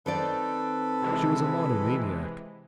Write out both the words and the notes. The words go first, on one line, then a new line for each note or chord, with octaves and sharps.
She was a monomaniac.
D#3 C4 A4 B4 D5
C3 E3 G#3